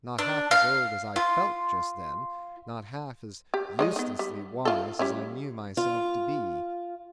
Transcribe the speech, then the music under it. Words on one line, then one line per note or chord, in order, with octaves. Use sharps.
Not half as old as I felt just then; not half as uselessly wise as I knew myself to be.
D4
F5
F4
G4
G#3 D5 D#5
B3 D#4
G3
E4 F4 A4
G3 C#4 E4
F4